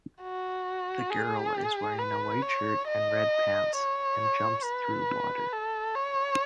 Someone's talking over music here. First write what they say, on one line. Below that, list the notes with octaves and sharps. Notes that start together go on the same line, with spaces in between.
The girl is wearing a white shirt and red pants, and jumps through water.
F#4
G#4
B4
C#5
D#5
C#5
B4
A4
C#5